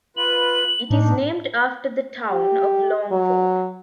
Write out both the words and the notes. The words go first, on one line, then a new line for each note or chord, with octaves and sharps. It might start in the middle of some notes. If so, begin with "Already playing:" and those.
It is named after the town of Longford.
F4 B4 F#7
A2 D4 D#4
G4
F#3